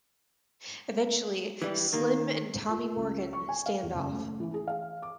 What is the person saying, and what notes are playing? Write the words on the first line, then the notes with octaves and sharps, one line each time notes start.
Eventually, Slim and Tommy Morgan stand off.
E3 G3
D#3 A#3
F4
C#2
C#6
G#5
F5
E2
F#1
A3
E3
G#4
F5
D6